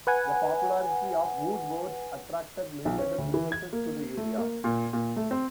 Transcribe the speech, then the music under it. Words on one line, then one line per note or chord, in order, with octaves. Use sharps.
The popularity of Woodward's attracted many other businesses to the area.
B4 F#5 G#5
B1
C#4
D2
E3
G#6
A#3
A3
A#3
A#2
A#2
A3
C4